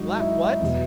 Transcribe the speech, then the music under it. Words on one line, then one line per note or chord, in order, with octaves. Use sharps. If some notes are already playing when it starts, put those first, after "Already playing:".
"Black what?"
Already playing: G#2 F#3 D#4 F#4
E4
E2 B2 F#3